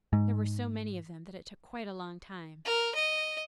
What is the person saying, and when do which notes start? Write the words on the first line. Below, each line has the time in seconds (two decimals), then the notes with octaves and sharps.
There were so many of them that it took quite a long time.
0.13 G#2
2.65 A#4
2.95 D#5